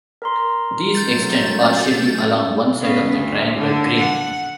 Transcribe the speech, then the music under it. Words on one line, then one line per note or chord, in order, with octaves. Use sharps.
These extend partially along one side of the triangular Green.
A#4 A#5 C6
F#3 A3 C#4 G6 A6
C#3 B3
D2
D3
F#5